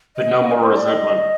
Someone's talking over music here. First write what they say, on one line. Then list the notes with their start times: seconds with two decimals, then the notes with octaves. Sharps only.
But no more resentment.
0.17 D#5
0.52 A#4
0.64 C5
0.76 D5
0.88 D#5